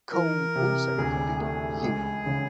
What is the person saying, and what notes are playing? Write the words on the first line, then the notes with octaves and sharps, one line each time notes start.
Cole also recorded "You".
E3 A#4
C3
D2 G#4
A3 G#4
C#2 G#4
C#3